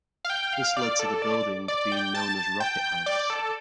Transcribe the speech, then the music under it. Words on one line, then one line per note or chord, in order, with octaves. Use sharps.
This led to the building being known as Rocket House.
F5
G5
F5
D5
A4
D5
D5
G5
A5
G5
D5
A4